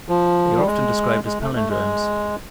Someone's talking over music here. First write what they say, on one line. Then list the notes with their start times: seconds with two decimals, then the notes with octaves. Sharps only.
They are often described as palindromes.
0.09 F3
0.57 G3
0.66 G#3
1.25 G#3
1.41 A3
1.56 A3
1.70 G#3